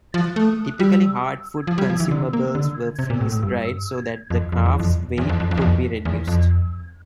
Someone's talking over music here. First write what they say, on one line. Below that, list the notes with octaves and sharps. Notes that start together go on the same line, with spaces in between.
Typically, hard-food consumables were freeze dried so that the craft's weight could be reduced.
F3
A3
G3
F3
G3
F3
E3
D3
A#3
D3
C3
A#2
A2
A2
G2
F2
F2
E2
F2
E2
F2
F2
F2
E2
F2
E2
F2